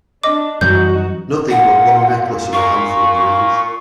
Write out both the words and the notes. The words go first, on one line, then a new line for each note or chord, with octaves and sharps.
Nothing but the one necklace and a handful of rings!
D4 D#5 D6
F#2 E3 G3 D#4 F#4 G6
A#2 F#5
F4 A#4 C#6